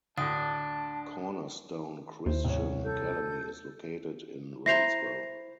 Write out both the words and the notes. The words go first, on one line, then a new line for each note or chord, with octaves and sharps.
Cornerstone Christian Academy is located in Rainsville.
D2 A2 D4 A5 D#6
D#2 E4 C5
C2 C#5
A4 G6
E4 C5 A#5 A#6 C7 F7